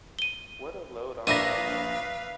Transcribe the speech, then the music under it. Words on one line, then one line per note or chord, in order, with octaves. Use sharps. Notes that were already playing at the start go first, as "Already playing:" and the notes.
What a load off my mind!
D#7 G7
A#1 D4 E4 A#4 B4 F5 A#6 D#7